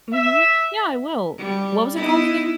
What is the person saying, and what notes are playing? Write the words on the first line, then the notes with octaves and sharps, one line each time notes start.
Mhm. Yeah, I will. What was it called again?
E5
G3
B3 D#4 E4